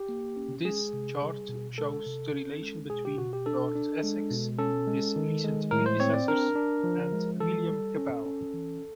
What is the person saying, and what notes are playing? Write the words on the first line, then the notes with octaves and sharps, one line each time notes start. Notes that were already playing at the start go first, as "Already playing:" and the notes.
This chart shows the relation between Lord Essex, his recent predecessors, and William Capell.
Already playing: G4
A#3
C#4
G#3 G#4
C3
G3
B2
G#3 A4
C3
C#4
G#3
B2 G#4
G4
B2 F#4
G4
D4 A4
D4
G#3
B2
C#4 A4
G#3
D#3
G#3
A2 A#4
C5
C4 C#5
D5
D4 A#4
D4
F3
G#3
E3 A4
G3
C#4
C#4
E3